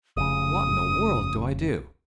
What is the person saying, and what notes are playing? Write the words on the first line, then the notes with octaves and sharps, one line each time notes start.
What in the world do I do?
F1 C#3 D#6